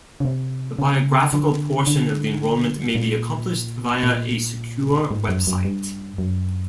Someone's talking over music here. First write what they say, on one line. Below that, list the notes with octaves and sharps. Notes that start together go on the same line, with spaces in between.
The biographical portion of the enrollment may be accomplished via a secure web site.
C#3
C3
C#3
D3
D3
A#2
A#2
G#2
F#2
F#2
G2
F#2